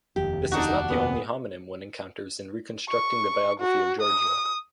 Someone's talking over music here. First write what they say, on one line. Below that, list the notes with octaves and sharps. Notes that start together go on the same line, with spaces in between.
This is not the only homonym one encounters in reconstructing the biography of Giorgio.
F1 D#2 G4
D4 D#4 F#4
A#2 B3
C#6
F#4
D#6